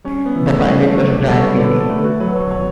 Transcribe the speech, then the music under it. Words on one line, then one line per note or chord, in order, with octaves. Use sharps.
The pilot was Brian Binnie.
G3 C#4
B3
E3
A3
G3 C#4
A3
F#3
D4
G3 A4
C#5
B4
D3 B4
A4
A3 B4
F#4
F#3 B4
C#5
B3 C#5